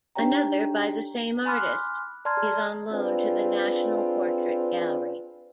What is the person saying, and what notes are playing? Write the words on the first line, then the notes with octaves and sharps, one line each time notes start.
Another, by the same artist, is on loan to the National Portrait Gallery.
D4 D#4 G4 C#5 G5 A#5
G#5 B5 C6 D6 F6 F#6
D5 A5 A#5 C6 F6 G#6
G#4
C4 D4 F4 G#4 B4